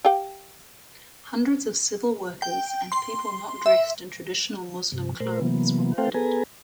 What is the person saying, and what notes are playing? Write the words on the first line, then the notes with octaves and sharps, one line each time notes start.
Hundreds of civil workers and people not dressed in traditional Muslim clothes were murdered.
G4 F5 G5
G5
C6
E5
G2 C3
A#2 A3 A#4 C5
C3 E3 F#3 A#3 B3
A3 C4 A4 C5 F5 G5
B3 G#4 A4 B4 G#5 A#5